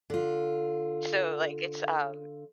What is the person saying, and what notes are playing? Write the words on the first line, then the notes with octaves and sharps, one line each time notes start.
So like it's, um,
D3 F4